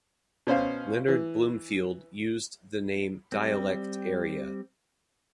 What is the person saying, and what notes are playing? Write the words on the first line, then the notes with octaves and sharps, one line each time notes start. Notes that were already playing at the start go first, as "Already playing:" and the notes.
Leonard Bloomfield used the name dialect area.
B2 C#4 C5 F5
E3
G3 C4